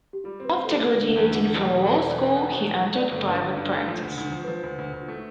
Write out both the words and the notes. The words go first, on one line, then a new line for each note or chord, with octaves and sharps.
After graduating from law school, he entered private practice.
G4
G3 F4
C4 B4
C4
A4
G3
D3 B4
D3
E2
D3
E2
B2
E2
A4
B2 B4
C5
E2 D5
B3
B2
E2
F3
A3
A3 D5
G1
A4
G2 B4
G1
G2
A3
F3
D2
D2
F3
B4
F3 C5
D2
D2
D2
A3